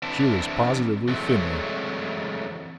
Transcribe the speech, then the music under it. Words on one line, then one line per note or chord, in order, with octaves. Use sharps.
She was positively thinner.
E3 C4 D4 E4 B4 A5
E3 F#3 G#3 A3 C4